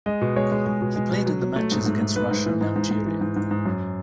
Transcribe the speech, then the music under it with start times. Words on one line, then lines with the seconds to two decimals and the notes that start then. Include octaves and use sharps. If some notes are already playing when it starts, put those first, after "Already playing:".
He played in the matches against Russia and Algeria.
0.06 G#3 D#5
0.21 B2
0.36 G#3 C#5
0.52 G#3
0.66 G#3
0.81 B2
0.96 G#3
1.12 B2
1.26 F#3
1.41 F#3
1.56 A3
1.72 G#2
1.86 G#2
2.01 G#2
2.16 G#2 B4
2.31 G#2
2.46 E3
2.61 G#2
2.76 G#2
2.91 G#2
3.06 E3
3.21 G#2
3.36 G#2
3.51 G#2
3.66 F#2